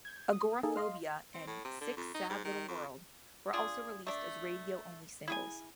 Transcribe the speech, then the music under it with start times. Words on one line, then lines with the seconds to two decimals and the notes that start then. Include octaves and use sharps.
"Agoraphobia" and "Sick Sad Little World" were also released as radio-only singles.
0.05 G6 G#6
0.33 D#6
0.63 A#3 D#4 G#4 A4
0.77 D#5 F5 C6
1.34 C4
1.47 A2
1.65 C3
1.81 D3
1.96 F2
2.14 D#4
2.29 G#2
2.45 D#3
2.68 F2
3.53 D4 F4 G#4
4.07 A3 D4
5.28 E4 G#4 G#5